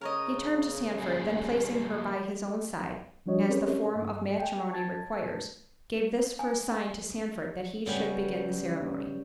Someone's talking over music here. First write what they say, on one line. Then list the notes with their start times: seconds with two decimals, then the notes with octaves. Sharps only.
He turned to Sandford--then placing her by his own side, as the form of matrimony requires, gave this for a sign to Sandford that he should begin the ceremony.
0.01 C#3 A#4 C#5 D#5
0.99 G3 A#3 G#4
3.26 F3 G3 D4 F#4 C#5 D#5
3.49 C4 C#4 G4 G#4 A#4 C#5
3.95 G2
4.40 G5 G#5
4.72 A5 G#6 A6
6.39 G#5
7.86 C#3 G3 B3 C#4